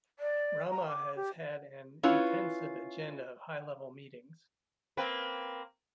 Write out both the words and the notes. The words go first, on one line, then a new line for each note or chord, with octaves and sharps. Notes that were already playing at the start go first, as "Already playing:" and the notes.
Rama has had an intensive agenda of high level meetings.
D5
A#5
D6
G4
C#4 E4 F4 B4 C#5
A#3 C4 B4